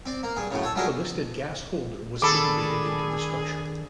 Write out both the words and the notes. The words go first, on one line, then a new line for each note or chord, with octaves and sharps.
A listed gas holder was integrated into the structure.
C4 D5
A#3
G2 G#4
F#2 A2 C#3
A4 C#5
F#3 G3 A3 F4 G#4 A#4
D#3 D4 G#4 A4 B5 D6